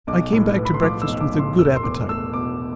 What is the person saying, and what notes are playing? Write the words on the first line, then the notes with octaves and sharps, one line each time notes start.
I came back to breakfast with a good appetite.
B1 D6
A2
B3
B5
C6
F3 D6
E6
B1
D6
A2
C6
E1 E6
C6
E2 D6
A3 E6
B2 D6